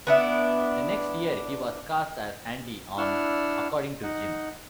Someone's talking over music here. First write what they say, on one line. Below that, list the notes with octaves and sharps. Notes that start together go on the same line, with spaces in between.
The next year he was cast as "Andy" on "According to Jim".
B3 D4 E4
D4 E4 F#5 E6 F6
D#4 F#5